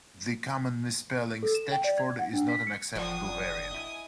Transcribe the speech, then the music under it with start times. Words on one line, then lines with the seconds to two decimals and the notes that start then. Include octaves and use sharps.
The common misspelling Stetchford is not an acceptable variant.
1.43 A4
1.55 E7
1.72 G5
1.84 D5
1.98 G#6
2.19 F#5
2.33 D4
2.48 B6
2.67 C#7
2.95 F#1 A2 F3 D4 F#4 G#5 D#6
3.71 E4 D#5